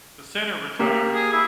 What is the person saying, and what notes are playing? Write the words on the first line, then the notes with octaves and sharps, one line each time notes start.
the center retired. Ra
A#3 G4
G#4
E4